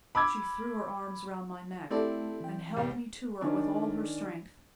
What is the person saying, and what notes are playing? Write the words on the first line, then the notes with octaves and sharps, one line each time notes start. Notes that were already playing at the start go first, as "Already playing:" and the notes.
She threw her arms round my neck, and held me to her with all her strength.
B5 D6 E6 G#6
A3 C4 E4 G4 A4 D5
E3 G5
C2 G3
D#3 C#4 D4 D5